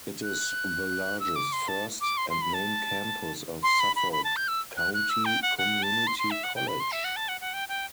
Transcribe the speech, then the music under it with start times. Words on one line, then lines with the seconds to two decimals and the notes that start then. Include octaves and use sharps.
It is the largest, first, and main campus of Suffolk County Community College.
0.23 F#6
1.20 E6
1.36 D6
1.52 C6
1.68 A5
2.01 D6
2.17 C6
2.30 C6
2.42 B5
2.54 A5
3.63 C6
3.80 B5
3.96 B5
4.12 B5
4.24 A5
4.36 G6
4.48 E6
4.77 F#6
4.94 F#6
5.09 E6
5.25 G5
5.42 F#5
5.58 F#5
5.83 A5
6.07 C6
6.19 C6
6.31 E5
6.43 F#5
6.55 G5
6.68 B5
6.80 C6
6.92 E5
7.04 F#5
7.16 A5
7.28 F#5
7.41 F#5
7.53 G5
7.69 G5